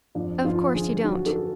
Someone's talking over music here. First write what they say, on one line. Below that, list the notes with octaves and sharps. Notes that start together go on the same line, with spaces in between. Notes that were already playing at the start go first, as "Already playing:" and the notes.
Of course you don't.
F2 D4
F2 F4
D3 G#4
F#3 F#4
A4